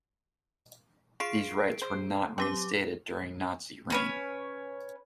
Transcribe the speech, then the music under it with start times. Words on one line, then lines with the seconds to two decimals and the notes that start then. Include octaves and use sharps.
These rights were not reinstated during Nazi reign.
1.20 F4 G#4 C7 D7
1.82 C5
2.38 F#3 C4 G4 D6
3.90 C#4 B4 C#5